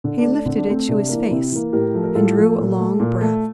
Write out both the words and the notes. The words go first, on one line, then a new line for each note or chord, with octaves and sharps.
He lifted it to his face, and drew a long breath.
D3
D4
A3
D4
D3 C4
D4
A3 C4
C3 D4
E3 A#3
C3 C4 E4
E3 A#3
A2 G4 A#4
F3 A3
A#4
A2 F4 A4
F3 A3
A#2
A3
A#2
A3